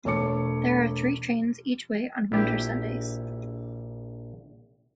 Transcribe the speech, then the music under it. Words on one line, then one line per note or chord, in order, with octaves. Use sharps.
There are three trains each way on winter Sundays.
E1 A3 C#5 D6 C#7
A#1 E4 G4 G5